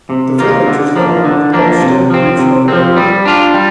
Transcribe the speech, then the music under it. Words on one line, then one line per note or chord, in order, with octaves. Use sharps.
The village is the home of Pellston Regional Airport.
C3
D#3 A#3 F4
D3
F3 A#3 D4
D3
F3 A#3 D4
C3
F3 C4
C3
F3 C4
G3
D4 F4
G3